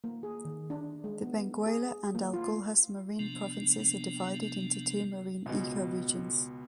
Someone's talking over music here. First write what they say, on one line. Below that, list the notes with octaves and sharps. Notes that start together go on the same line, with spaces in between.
The Benguela and Agulhas marine provinces are divided into two marine ecoregions.
A#3
G#4
D#3
D4
G#3
B3
G#4
A#3
F4
C3 F3 A#3 B3 D4
C#2 B2